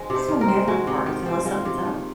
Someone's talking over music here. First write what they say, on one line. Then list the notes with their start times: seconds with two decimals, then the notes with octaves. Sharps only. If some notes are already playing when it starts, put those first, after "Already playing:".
This one never barks unless something's up.
Already playing: D#3 G#3 C4
0.10 C3
0.16 C5
0.28 D#3
0.41 A#4
0.48 C4
0.67 G#3 F#4
0.87 C3
1.06 D#3
1.26 C4
1.45 G#3 F4
1.65 C3
1.85 D#3